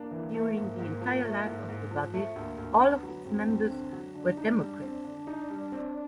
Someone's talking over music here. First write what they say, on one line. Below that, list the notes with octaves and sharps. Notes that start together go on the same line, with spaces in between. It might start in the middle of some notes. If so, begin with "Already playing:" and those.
During the entire life of the body, all of its members were Democrats.
Already playing: A#3 D4
E3
A3
G#2
G#2
F3
A3
G#2
G#2
F3
A3
D2 A#3
D2
D3 B3
F#3
D2 C4
D2
D3
F#3
D3 D4
D#4
G3
C4
D3
D#4
G3
C4